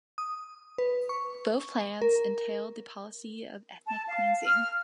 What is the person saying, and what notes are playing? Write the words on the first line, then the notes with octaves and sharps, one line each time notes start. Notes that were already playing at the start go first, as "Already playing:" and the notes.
Both plans entailed the policy of ethnic cleansing.
D#6
B4
C#6
A#4
A5
F5
F6